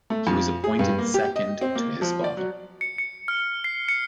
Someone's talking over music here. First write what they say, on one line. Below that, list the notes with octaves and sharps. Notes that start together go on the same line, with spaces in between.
He was appointed second to his father.
A3
F2
G#4
G2
A#3
G4
D#5
C4
A#3
F3
D5
F#3
C#7
C#7
F6
C7
C#7